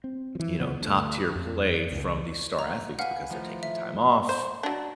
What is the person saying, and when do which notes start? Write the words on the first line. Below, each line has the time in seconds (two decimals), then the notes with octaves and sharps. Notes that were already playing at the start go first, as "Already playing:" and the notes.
you know, top tier play from these star athletes because they're taking time off.
0.04 C4
0.35 E3 F3
0.59 D1 C#3 F3 B3
0.81 D2 A3
1.35 F2
1.92 C#2
2.59 A#5
2.99 B4 F5 F#5 G#5 F6
3.30 A2 D#3 F3
3.63 E5
4.29 C5
4.63 F#3 D4